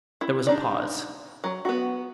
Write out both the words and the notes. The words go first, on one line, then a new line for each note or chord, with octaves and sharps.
There was a pause.
E4
D4 D#4 D5
F#3
B3 F#4